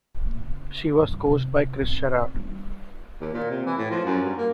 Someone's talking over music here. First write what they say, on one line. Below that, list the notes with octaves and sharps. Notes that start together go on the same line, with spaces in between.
She was coached by Kris Sherard.
A#2
C#3
C#2 G2
C3
C4
G3 D4
D#2
A#2
C3
E3
A2
F3
F#2
G2
A#3